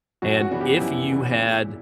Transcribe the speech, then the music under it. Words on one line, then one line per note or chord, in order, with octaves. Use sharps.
And if you had
F#2 F#4
F#4
C#3 E3 B3 D4
G4
F#2 E4
C#3 E3 B3 D4
A#2